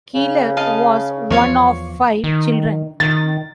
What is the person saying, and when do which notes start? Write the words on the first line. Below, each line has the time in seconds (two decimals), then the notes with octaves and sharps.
Keeler was one of five children.
0.14 C#3
0.57 D#5 F5 A5
1.30 E2 F3 C#5 F5 C#6
2.24 D#3
3.00 D#3 A6